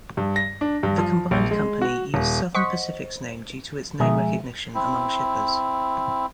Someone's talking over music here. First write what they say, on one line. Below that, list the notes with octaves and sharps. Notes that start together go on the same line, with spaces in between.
The combined company used Southern Pacific's name due to its name recognition among shippers.
G2
A#6
D4
G2
F3
A#1
G#3
F#4
D#1
C5 D#5 F#5 C#6 B6 C#7
B2 F3 G#3 G#4 E5 A#5
C4 E4